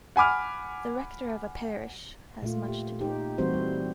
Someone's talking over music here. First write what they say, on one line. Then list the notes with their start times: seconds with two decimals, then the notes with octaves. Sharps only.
The rector of a parish has much to do.
0.16 F#5 G#5 B5 D6 F6
2.42 A#2 A3 F4
2.68 G4
3.00 D#4 G4
3.38 E3 G3 A3 C4 F#4 C5
3.53 G3